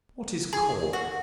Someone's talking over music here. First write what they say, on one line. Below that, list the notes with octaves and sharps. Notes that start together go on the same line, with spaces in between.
What is Cork?
G#4
F#4